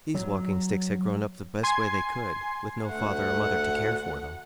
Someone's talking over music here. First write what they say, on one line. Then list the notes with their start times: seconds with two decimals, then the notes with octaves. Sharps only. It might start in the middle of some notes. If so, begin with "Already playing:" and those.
These Walking-Sticks had grown up the best way they could, with no father or mother to care for them.
0.14 F#3
1.63 G#5 C6 G#6 C7
2.87 D2 A3 F#5